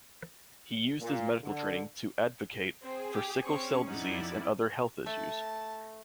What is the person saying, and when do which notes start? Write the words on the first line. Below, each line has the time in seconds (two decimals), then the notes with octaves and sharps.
He used his medical training to advocate for sickle-cell disease and other health issues.
1.00 A#2
1.43 D3
2.82 C4 G#4 C5
3.13 G4
3.43 C4 C#4 C#6
3.87 F2 D#4 E4 D5 F#5
5.06 A3 A5